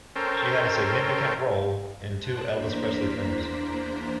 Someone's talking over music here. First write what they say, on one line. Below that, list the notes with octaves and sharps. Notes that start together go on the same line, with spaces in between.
She had a significant role in two Elvis Presley films.
C#4 A4 A#4 C5 G5
C5 A5 F#6
E2 A#3 D4 C5 A#5 B6